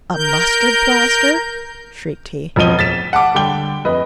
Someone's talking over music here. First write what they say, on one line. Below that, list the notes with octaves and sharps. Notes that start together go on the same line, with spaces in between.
"A mustard-plaster?" shrieked he.
A#4 G6
E1 F2 F3 D#5 D#7 G7
A6 B6 E7
F#5 A5 D6
D3 G3 G4 G5 G7
F2 B4 D#5